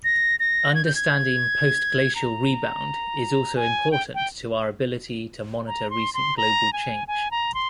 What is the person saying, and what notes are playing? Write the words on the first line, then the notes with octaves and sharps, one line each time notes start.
Understanding postglacial rebound is also important to our ability to monitor recent global change.
A#6
A#6
G#6
G6
G#6
A#5
G#5
G5
G5
A#5
C6
C6
A#5
G#5
G#5
A#5
C6